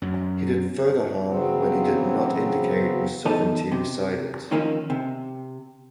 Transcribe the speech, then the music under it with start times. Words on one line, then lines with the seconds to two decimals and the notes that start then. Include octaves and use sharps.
He did further harm when he did not indicate where sovereignty resided.
0.02 F#2 F#3
1.26 C#3 E3 F#3 B3 C4
3.25 E2 D#4 A4
3.72 C3
4.52 D#3 F3 A#3 C4 C#4 D#4
4.90 C3